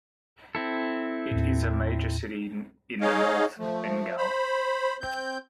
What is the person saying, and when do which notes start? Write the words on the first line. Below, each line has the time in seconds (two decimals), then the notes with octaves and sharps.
It is a major city in the north Bengal.
0.55 C4 E4 A4
1.31 D#2 A2
3.01 D#4 G#4 C#5 D#5 F5
3.58 F3 A3
4.17 C5 B5
5.01 C4 G6